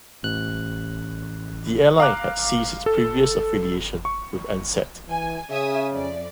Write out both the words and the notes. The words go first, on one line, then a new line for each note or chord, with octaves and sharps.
The airline had ceased its previous affiliation with Ansett.
A1 F#6
F5 A#5 D6 F#6
A4
C#6
E3 G#5
C#3 E5 G#5 D#6
F2 D5